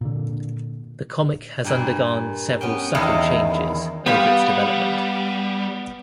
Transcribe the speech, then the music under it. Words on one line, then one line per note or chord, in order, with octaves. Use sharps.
The comic has undergone several subtle changes over its development.
A#2 D3
G2 A#2
B3 C#4 G5
E2 D#3 A#3
G3 B3 F4 F5 G5 B5